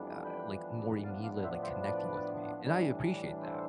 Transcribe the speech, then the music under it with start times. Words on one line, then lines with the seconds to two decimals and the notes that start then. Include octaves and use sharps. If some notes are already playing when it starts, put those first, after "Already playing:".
uh, like, more immediately, like, connecting with me, and I appreciate that,
Already playing: F2 E3 G3 B3 D4
0.24 G5 B5
1.03 A2 F3 B3 D4 F5 A5
1.23 D5 F5
1.43 C5 E5
1.63 C5 E5
1.82 B4 D5
2.61 A2 E3 G3 D4
3.42 A4 C5